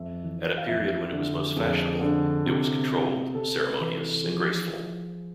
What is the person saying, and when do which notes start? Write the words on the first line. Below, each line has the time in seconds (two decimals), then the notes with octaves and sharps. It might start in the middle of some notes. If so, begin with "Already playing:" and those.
At the period when it was most fashionable it was controlled, ceremonious and graceful.
Already playing: F2 E5
0.23 E3
0.58 F5
0.67 F2 E5
1.12 D3
1.56 F2 G#4
2.01 D3
2.46 C3
2.89 C3
3.35 C3 A4
3.64 B4
3.79 E3
3.94 A4
4.23 F3 G#4
4.67 F3